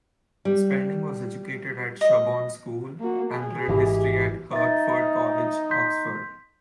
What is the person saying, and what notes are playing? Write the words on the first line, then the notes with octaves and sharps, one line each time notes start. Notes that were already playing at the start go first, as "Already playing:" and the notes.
Spedding was educated at Sherborne School and read history at Hertford College, Oxford.
G3
D#5
A#3 F#4
G#4
G#1 E3 G4
D#4 E5 A6
C6 G6 B6